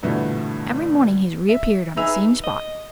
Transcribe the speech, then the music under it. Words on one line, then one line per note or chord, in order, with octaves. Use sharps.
Every morning he has reappeared on the same spot.
A#1 G2 B2 D3 E3 A3
E5
D#4 G#4 B4 E5 E6 F7
D#5